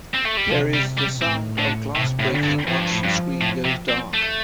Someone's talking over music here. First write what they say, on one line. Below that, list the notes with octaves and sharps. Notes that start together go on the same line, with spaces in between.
There is the sound of glass breaking once the screen goes dark.
C4
A3
G3
C3 F3
G3
G3
A2 C4
D3
A2 C3
A2
D3
G2
A2 F3
G2
A2
G2
A2
C3
C4
A3